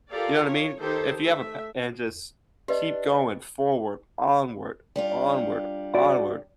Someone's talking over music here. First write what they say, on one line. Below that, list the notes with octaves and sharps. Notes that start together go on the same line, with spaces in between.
you know what I mean? If you have a pa and just keep going forward, onward, onward, onward.
F4 G4 A4 A#4 D5 F5
C#5
D#3 D#4 G4 A4 C5
A3 E5
D4 G4 B4 D#5
G3 D4 F4
F#4 D5